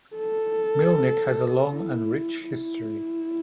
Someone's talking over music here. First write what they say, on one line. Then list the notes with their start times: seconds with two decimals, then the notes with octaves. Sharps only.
Mielnik has a long and rich history.
0.17 A4
1.71 E4
2.50 E4